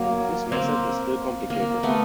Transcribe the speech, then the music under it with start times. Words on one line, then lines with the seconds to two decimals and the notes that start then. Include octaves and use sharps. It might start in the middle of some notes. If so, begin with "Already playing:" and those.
This method is still complicated.
Already playing: F#3 A#3
0.52 A#3 C4
1.50 A#3
1.83 A3 B3